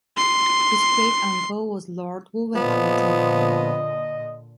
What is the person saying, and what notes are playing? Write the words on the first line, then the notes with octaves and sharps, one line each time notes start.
His great uncle was Lord Wolverhampton.
C6 C7
A#2 D3 F3 B3 D#5